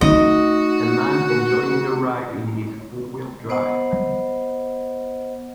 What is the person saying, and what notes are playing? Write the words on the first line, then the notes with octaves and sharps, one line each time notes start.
A man enjoying the ride in his four wheel drive.
A3 D#4 F#4 D#5
B3 C5 D#5 F#5